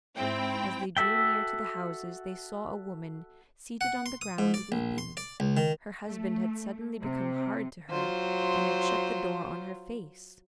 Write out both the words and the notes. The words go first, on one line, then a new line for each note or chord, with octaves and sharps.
As they drew near to the houses they saw a woman seated on the ground, weeping; her husband had suddenly become hard to her and had shut the door on her face.
G#2 C4 E4 G5
F#4 A4 E5 G5
F#5
C6
D#6
G#2
D5
A#1
C6
D5
C#2
D#3
A3
C3
F#3 F4 C5